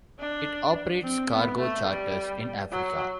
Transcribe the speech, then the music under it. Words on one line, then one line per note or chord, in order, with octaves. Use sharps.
It operates cargo charters in Africa.
D4
C4
B3
A3
G3
F#3